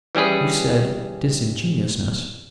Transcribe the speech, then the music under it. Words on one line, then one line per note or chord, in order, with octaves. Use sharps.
You said disingenuousness.'
E3 G3 C#4 G#4 B4